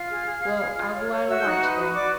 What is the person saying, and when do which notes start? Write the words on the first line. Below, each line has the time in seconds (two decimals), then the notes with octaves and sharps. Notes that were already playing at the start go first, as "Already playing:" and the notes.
Well, I'll go out and watch them.
Already playing: F4 F5 F6
0.09 G#4
0.26 G#4
0.42 G#4
0.60 G#4
0.77 F4
0.93 C#5
1.10 C#5
1.27 F#4 E5 E6
1.39 G6
1.44 D#4
1.50 F#5 F#6
1.61 B4
1.78 F#4
1.95 B4 D5 D6